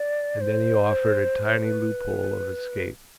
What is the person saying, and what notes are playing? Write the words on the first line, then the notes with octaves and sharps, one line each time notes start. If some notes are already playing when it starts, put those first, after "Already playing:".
And then he offered a tiny loophole of escape.
Already playing: D5
C5
B4